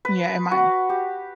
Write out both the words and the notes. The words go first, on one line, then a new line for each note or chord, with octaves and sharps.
Yeah, it might.
B4
F#4
G4